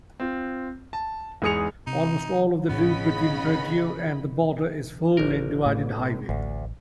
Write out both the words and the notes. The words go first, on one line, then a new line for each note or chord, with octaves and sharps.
Almost all of the route between Poteau and the border is four-lane divided highway.
C4 F4
A5
E2 G#2 G#4 D#6 C#7 F7
C3 D#4
A1 A2 C#3 B3 D4 D#5 B5
A1 A#4
A2
A1 D2